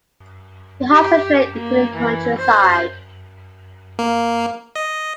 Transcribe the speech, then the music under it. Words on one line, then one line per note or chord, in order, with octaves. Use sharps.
He hops a train into the countryside.
G4
A#3
E3
C5
A#3
D#5